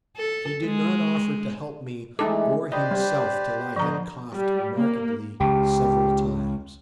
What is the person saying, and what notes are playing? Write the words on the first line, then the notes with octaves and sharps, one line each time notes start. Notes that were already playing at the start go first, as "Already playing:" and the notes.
He did not offer to help me or himself till I had coughed markedly several times.
A4
G#3
E3 G#3 A3 D#4 A4 D6
G4 B4 C5 D5 D#5
G3
D3 F3 B4 C5 D#5 A#5
G3
A#3
C#2 G4